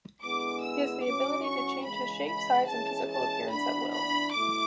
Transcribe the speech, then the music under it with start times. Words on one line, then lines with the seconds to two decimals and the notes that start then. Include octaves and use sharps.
He has the ability to change his shape, size, and physical appearance at will.
0.22 D3 G#3 B3 E4 G#4 D6
0.63 E6
1.04 A2 F#3 C#4 F#4 D6
1.45 C#6
1.85 C#3 E3 G#3 B5
2.27 B5
2.68 E3 G#3 C#4 G#4 A5
3.09 A5
3.50 E3 B3 D4 B5
3.91 B5
4.32 B2 A3 E4 D6